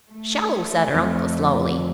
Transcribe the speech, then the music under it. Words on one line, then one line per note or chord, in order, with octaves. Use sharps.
"Sho!" said her uncle, slowly.
A3
F2